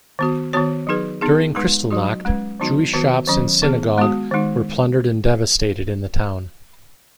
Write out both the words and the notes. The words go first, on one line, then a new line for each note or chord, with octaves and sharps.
During Kristallnacht, Jewish shops and synagogue were plundered and devastated in the town.
D#3 B3 F#4
D#3 B3 F#4 C#5
F#3 D#4 G#4 B4
B3 D#4 G#4
G#3 D#4 B4
F#3 D#4 F#4
G#3 C#4 B4
D#3 F#3 B3 D#4 F#4
D#3 B3 F#4 B4
D#3 F#3 C#4
D#3 B3 G#4
G#3 B3 F#4
D#3 G#3 D#4